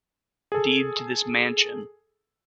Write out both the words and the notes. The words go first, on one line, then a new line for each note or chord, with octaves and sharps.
deed to this mansion."
G#4 A4